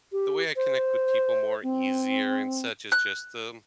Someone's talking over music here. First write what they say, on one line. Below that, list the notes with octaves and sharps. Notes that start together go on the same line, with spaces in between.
The way I connect with people more easier and such is just, um
G4
C5
C4
F#6